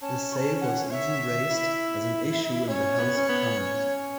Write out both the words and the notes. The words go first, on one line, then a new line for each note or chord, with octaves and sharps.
The sale was even raised as an issue in the House of Commons.
C#4 A5
C#6
A5
F#5
C#5 E5
E4
C#4 C#5
B3
C#4
B3
C#4